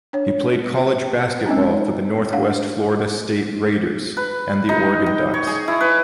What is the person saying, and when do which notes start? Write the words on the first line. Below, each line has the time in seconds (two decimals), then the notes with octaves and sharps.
He played college basketball for the Northwest Florida State Raiders and the Oregon Ducks.
0.13 D4 C#5
1.46 G#3 C4 C#4 D#4
2.33 D4 F5 F#5
4.17 B4
4.69 D#4
5.06 G5
5.34 C#5
5.47 G#4
5.68 E4
5.80 B4